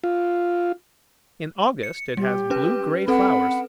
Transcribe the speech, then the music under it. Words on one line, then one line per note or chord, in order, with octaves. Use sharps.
In August it has blue-grey flowers.
F4
C#7
G3 G4
C#4 B4
C4 A4 B4 F#5 B5